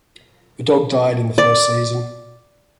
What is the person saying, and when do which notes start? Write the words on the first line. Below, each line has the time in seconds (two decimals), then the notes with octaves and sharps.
The dog died in the first season.
1.38 D5